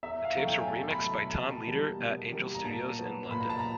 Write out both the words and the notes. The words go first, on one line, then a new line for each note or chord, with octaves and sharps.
The tapes were re-mixed by Tom Leader at Angel Studios in London.
E2 E5
F5
B2 F#3 A3
G5
G#5
E2 A5
B5
B2 F#3 A3
A#5
B2 A5
G3 A#3
B2
G3 A#3
A#5
A#2 A5
F#3 B3
A#2 B5
A#5
A5
A#5